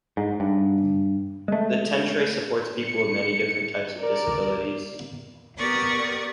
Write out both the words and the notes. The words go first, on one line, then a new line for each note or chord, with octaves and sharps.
The tentre supports people with many different types of disabilities.
G#2
G2
G#3 A3
C#7
A#4 D5
B3 G4 A#4 D5 C#6 D#6